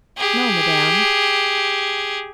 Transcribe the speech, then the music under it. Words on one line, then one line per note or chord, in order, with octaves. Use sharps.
"No, Madame."
G4 G#4